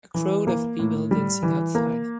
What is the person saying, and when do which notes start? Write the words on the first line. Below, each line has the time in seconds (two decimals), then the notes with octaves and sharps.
A crowd of people dancing outside.
0.14 E3
0.47 A#3
0.79 A2
1.11 G3
1.43 E3
1.75 A#3